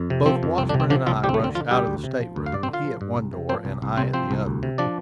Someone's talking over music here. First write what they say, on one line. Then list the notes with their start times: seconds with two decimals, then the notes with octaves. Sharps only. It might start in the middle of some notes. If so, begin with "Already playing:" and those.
Both Washburn and I rushed out of the state-room, he at one door, and I at the other.
Already playing: F2
0.10 C3
0.26 F3 C4
0.43 F2
0.58 C2 C4
0.69 D3 D4
0.74 C3
0.80 C4
0.90 D3 F3 D4
1.07 C2 F3 F4
1.24 D2 G3 G4
1.29 C4
1.34 A3
1.40 D3 C4
1.55 F3 F4
1.71 D2 G3 G4
1.87 D2
2.04 C3
2.20 F3
2.36 D2
2.46 F5
2.52 G2 D5
2.63 C4 C5
2.68 D3
2.73 F4 F5
2.85 F3
3.01 G2
3.16 C2
3.33 C3
3.49 F3 C4 C5
3.65 C2
3.82 C2
3.97 C3 C4 C5
4.13 F3 C4 C5
4.31 C2
4.46 D2
4.63 C3
4.78 F3 D4 D5